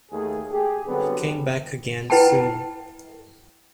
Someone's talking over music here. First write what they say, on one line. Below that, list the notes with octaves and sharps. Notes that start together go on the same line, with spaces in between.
He came back again soon.
D#2 A3 G#4
G4 G#4
D3 F#3 G3 B3 C4
E4 B4 F#5 G5 A5